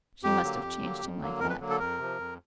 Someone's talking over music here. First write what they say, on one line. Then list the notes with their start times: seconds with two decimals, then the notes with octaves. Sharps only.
She must have changed him like that.
0.23 F2 G4
0.43 D3 F#3 A#3
0.62 F2
0.81 D3 F#3 A#3
1.02 F2
1.21 D3 F#3 A#3
1.40 F2 A#4
1.50 B4
1.60 D3 F#3 A#3
1.70 A4
1.80 F2 A#4
1.98 C3 F3
2.18 F2